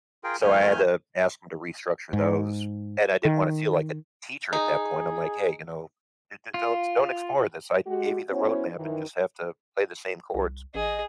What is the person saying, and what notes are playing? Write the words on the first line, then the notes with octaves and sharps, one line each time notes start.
So I had to ask him to restructure those, and I didn't wanna feel like a teacher at that point, I'm like, "Hey, you know, d d don't ex don't explore this. I gave you the road map and just have to play the same chords,"
F4 G#4 A#4 G5
F2 D#3 A3 G#5 F6 G6
G#2
D#3
D#4 G#4
F4
G#3 F#4 G4
B3 C#4 E4 F#4 C5 C#5
F#2 D#3 E3
C2
A1 G#4 D#5